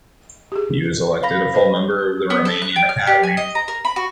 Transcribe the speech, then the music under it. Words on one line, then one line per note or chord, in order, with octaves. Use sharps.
He was elected a full member of the Romanian Academy.
G4 G#4
F5 B5 A#6
B4 C5 D#5
B3
A4
F#6
G5
F6
G4
G#5
D#5
A#5
A#4
B5
F#4